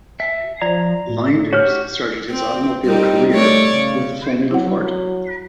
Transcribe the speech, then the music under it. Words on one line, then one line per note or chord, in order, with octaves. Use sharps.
Leinders started his automobile career with the Formula Ford.
E5
F3 D5 A#5
A2
F#4 G4 C#5 F6
C4
G3 C4 D#4
A3 C#5 D5
C#3
F#3 E4 F#5